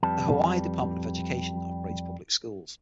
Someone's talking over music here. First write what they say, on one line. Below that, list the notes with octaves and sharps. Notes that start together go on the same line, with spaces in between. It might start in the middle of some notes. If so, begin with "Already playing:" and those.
The Hawaii Department of Education operates public schools.
F2 G3 B4 A5